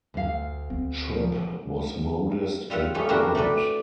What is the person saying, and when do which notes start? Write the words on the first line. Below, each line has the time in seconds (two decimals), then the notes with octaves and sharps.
Tripp was modest and quiet.
0.14 D2 F5
0.70 C4
1.07 A#2 F3
2.70 G3 F4 E5 F#5
2.94 A3 C#4 F4 G4
3.09 C4 D4 E4 F#4 G4 A#4
3.35 A3 C4 B4 D5